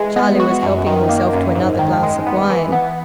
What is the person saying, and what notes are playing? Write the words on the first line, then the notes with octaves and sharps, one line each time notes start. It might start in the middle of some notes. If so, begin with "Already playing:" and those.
Charlie was helping himself to another glass of wine.
Already playing: E3 G#3
B3
F#4
F#2
D#3
A#3
F#2
G#2
D#3
G#3
B3
E3
B3